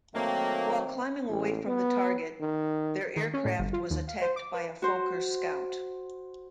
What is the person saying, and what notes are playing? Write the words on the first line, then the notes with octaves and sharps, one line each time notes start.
While climbing away from the target, their aircraft was attacked by a Fokker scout.
D#3 F#3 A3 A#3 C4
A1
B3
D#3
D#3
C#4
A2
G1
F4
D#2
F5
C5
D6
B4
F#4 C5 C6